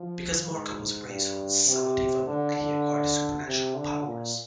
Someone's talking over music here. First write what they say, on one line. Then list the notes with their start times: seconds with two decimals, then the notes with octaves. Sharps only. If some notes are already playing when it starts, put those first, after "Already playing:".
Because Marko was raised on samodiva milk he acquired supernatural powers.
Already playing: F3
0.48 G#2
1.07 G2
1.67 C3
2.27 D3
2.56 D3
3.45 C3
3.75 D3
4.05 A#2